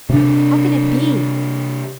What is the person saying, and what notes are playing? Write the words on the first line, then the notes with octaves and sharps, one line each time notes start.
How can it be?
C3 D4